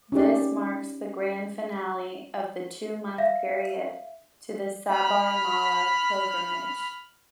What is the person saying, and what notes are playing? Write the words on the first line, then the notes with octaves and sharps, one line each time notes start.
This marks the grand finale of the two-month period to the Sabarimala pilgrimage.
C#4 D#4 G4 D5
E5 F5
B5 F6